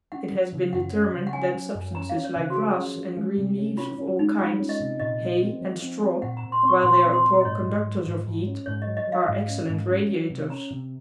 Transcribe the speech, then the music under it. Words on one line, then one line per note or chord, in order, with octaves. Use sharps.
It has been determined that substances like grass and green leaves of all kinds, hay and straw, while they are poor conductors of heat, are excellent radiators.
C#4 F#5
F#3
C#3
F#2 F#5
C#4
C#3
F#5
C#4 G#5
F#3
F#2
C#4 A#5
F5
C#4
C#5
C#3
C5
F#4
F3 G#4
C#4
F3
G#3
C3
C#4
C#4 F4
C#4
G#3 D#4
G#3 F4
C#4
D#5
C3
A#2 D#5
F3
C4
F3
C4
C4
A#2 F#5
A#5
A#2
C6
C4 C#6
A#2 C6
C4
C6
A#2
D#5
G#2 C#5
G#2
F#3
G#2
G#2
C#4
G#2 C#5
F#3 D#5
D#5
F#3 F5
G#2
C#4
G#2
C#4
F#3
C3
C#4 A#5
C3